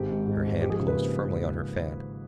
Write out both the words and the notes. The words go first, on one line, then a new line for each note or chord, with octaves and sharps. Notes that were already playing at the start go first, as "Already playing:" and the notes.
Her hand closed firmly on her fan.
Already playing: G#1 G4
G#2
G#2
G#2
F3 G4
G#4
C#3
B4
A#3